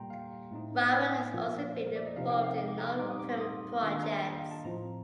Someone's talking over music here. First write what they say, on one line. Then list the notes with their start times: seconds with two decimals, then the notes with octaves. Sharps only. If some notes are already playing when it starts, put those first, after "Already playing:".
Rahman has also been involved in non-film projects.
Already playing: A#2 G3 A#3 G5 A#5 C6
0.10 F5
0.51 A2 A3 C4 D#4
0.92 D5
1.34 A#2 F3 A#3 F4
1.75 C5
1.86 A#4
1.96 D5
2.06 D#5
2.16 C3 F3 C4 D#4 F5
2.30 G5
2.44 F5
2.59 D#5
2.68 D6
2.78 A#5
2.89 C6
2.99 A#2 G3 C4 D#4 D6
3.10 D#6
3.19 D6
3.30 C6
3.41 D#6
3.82 D#3 A#3 D4 F4 D6
3.92 C6
4.03 A#5
4.13 D#5
4.24 D#5
4.37 F5
4.51 A5
4.65 A2 F3 C4 F4 A#5